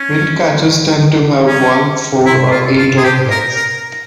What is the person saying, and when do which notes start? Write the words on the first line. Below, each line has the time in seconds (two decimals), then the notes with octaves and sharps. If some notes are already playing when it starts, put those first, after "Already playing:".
Windcatchers tend to have one, four, or eight openings.
Already playing: C#4
1.47 C#4
2.26 E4
2.51 F4
2.78 F4
2.98 G#4
3.04 G4
3.31 A#4
3.56 A#4